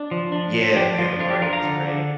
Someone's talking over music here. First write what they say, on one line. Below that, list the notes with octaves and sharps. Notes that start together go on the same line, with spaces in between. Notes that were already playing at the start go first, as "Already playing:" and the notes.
Yeah, The Mandalorian is great.
Already playing: D4
F3
D4
F3
D4 G4
F3 F4
D4 F4
G4
F3 F4 A#4
F5 A#5
D3
D4